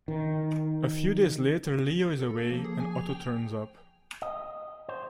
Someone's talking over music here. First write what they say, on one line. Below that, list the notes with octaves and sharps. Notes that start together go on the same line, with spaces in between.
A few days later, Leo is away, and Otto turns up.
D#3
A4
A#3
F3
G#4
G#5
F7
G5
D#5
C5